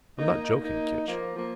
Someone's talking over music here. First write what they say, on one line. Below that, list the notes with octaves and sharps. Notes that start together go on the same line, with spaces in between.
I'm not joking, Kinch.
A#3 D#4
A#3 D#4
F3 A#3
F3 A#3